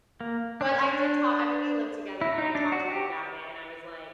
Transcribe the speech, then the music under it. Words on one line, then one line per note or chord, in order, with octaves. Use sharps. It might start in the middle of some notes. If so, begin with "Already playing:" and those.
But I did talk I mean, we lived together and I talked to him about it and I was like,
A#3
D4
C#4
D4
E4
D#4
D4
F#4
G4